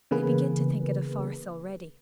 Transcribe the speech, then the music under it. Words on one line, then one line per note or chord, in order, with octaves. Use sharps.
They begin to think it a farce already.
C#3 E3 A#3 B3 G#4 B4